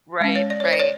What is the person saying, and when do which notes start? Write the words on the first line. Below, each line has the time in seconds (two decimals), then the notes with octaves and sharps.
Right, right.
0.21 G#3 C#4
0.35 C#5
0.50 D5
0.60 C#5
0.65 C5
0.73 D5
0.79 C#5